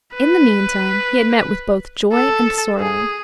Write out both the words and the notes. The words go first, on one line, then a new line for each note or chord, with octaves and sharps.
In the meantime he had met with both joy and sorrow.
B4
A4
G#4